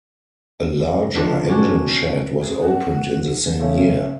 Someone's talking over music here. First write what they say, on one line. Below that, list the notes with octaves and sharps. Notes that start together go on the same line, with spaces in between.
A larger engine shed was opened in the same year.
D3 D#3 F3 D4
B2 C#4 D4
G#4
F#5
C#3 A3 C#4 E5